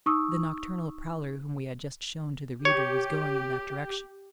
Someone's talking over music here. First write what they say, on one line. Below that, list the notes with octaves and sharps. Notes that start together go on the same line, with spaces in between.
The nocturnal prowler whom we have just shown to the reader was going in that direction.
D#4 C#6 D#6 E6
G4 C#5